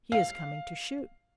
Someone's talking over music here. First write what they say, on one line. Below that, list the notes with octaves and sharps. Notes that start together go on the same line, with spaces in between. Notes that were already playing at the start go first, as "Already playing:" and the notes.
He is coming to shoot.
F5